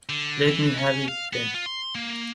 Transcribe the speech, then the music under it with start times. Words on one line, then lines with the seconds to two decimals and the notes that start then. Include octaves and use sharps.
Let me have it then!
0.09 D3
0.48 E3
0.77 C#4
1.08 F5
1.33 B3
1.54 F4
1.66 C6
1.95 A#3